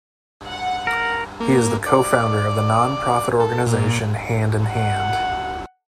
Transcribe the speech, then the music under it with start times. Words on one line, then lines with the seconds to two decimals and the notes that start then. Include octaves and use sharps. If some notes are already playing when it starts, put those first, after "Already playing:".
He is the co-founder of the non-profit organization Hand in Hand.
0.46 F#5
0.87 A#4
1.40 A#3
1.86 D5
3.40 A4
3.66 A#2
4.68 F#5